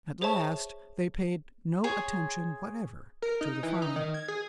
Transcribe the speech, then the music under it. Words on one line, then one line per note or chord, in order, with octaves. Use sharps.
At last they paid no attention whatever to the Farmer.
G#4 C5 C#5 E5 A5 C#6
G#4 C5 C#5
A#4
D#4
E3
D#4
D#3
G#6
G#4